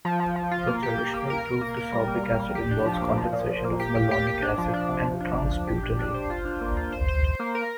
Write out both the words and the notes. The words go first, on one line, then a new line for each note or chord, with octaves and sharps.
The traditional route to sorbic acid involves condensation of malonic acid and trans-butenal.
F3
F3
F3
F4
A#3
G4
A#3
A#3
A#4
A#4
A#3
A#4
G3
A#3
G3
G3
G4
D4
F3
A#3
F3
A#2
A#2
A#3
G4
G4
G4
G4
D4
F3
D4
C3
F3
D4
F3
D4
G4
D4
D4
C5
F4
D4
A#3
F4
C5
C5
C5
A#3
A#4